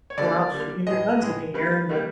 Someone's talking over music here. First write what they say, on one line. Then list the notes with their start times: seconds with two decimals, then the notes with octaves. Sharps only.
were out shooting their guns in the air, and the
0.10 C#5
0.18 D3 G3 A#3 D5
0.52 D3 G3 A#3
0.87 A2 E3 G#3 D#5
1.20 A2 E3 G#3
1.54 D#3 G3 A#3 B4
1.89 D#3 G3 A#3